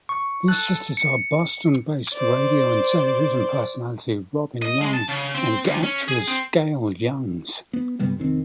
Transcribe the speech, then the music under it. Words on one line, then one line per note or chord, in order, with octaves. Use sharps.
His sisters are Boston-based radio and television personality Robin Young and actress Gail Youngs.
C#6
A4 F#6
C#7
C5 D5
D#5
G#3
A5
C#3
C4
D2
C#4
G#4
C4
B3
G2 C3 G3 B3
F1 D#3 C4